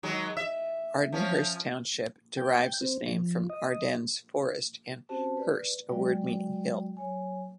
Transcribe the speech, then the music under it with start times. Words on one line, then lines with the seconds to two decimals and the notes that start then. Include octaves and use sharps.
Ardenhurst Township derives its name from Ardennes Forest and "-hurst", a word meaning hill.
0.03 D#3 F#3 G#3
0.37 E5
1.13 F3 C#4
2.37 G5
2.81 C4
3.08 F3
3.50 D#5
5.09 C4 C#4 F#4 G4 C5 A5
5.37 B4 D5
5.89 F#3 G#3 F#4 D5 G5
6.97 F#3 C#5 G#5